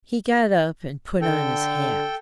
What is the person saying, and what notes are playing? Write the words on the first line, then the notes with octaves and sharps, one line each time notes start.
He got up and put on his hat.
D3 A4 G5